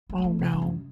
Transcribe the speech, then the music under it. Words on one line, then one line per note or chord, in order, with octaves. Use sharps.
Oh, no.
B3
G3
A3
C3
G2
F#2